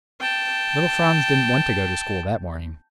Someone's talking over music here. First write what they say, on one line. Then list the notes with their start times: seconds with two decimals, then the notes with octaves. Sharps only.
Little Franz didn't want to go to school, that morning.
0.20 G5 A5